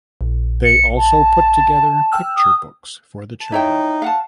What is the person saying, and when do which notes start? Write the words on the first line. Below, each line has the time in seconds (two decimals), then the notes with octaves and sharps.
They also put together picture books for the children.
0.21 A#1
0.64 C#7
0.97 A5
2.12 G5 E6 F6
2.36 D#6
3.41 A5
3.52 D#4 E4 C#5 G5
4.02 F5 F#5 A5